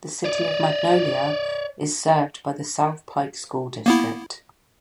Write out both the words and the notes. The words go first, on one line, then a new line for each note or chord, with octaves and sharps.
The City of Magnolia is served by the South Pike School District.
C#5 D5
A#3 B3 E4